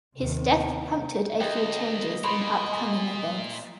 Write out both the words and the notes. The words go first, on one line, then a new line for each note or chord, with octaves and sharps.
His death prompted a few changes in upcoming events.
D#2 C3
D2 D#5 G5
A#2 B5 C6
G#5